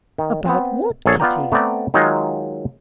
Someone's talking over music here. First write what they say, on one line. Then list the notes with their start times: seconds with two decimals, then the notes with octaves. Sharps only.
"About what, Kitty?"
0.18 D#3
0.46 B3 C4
1.06 A#1 G#4 A4 C#5
1.20 B3 F4 D5 G5 A#5
1.52 A3 B3 C4 D5 A#5
1.94 D#3 F#3 G#3 D#4 F4